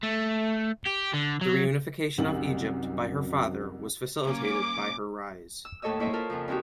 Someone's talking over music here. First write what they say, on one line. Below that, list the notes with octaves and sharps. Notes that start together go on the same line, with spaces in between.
The reunification of Egypt by her father was facilitated by her rise.
A3
G4
D3
F#3
C2 F#2 C3 D#3 F#7
F#3 A#3 C#4 D6
E6
D#2 A2 A4 C#5 D#5 E6
A#3 E4 C5 C#5 D#5 E5
F4 A4 A#4
F2 C#3 F3
E2 C4 D#4 F#4 G4